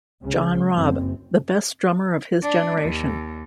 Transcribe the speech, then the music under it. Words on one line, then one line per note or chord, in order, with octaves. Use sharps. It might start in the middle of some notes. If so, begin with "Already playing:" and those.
John Robb: The best drummer of his generation.
C#2 C#3
F#1 F#2 C4
D4
D#2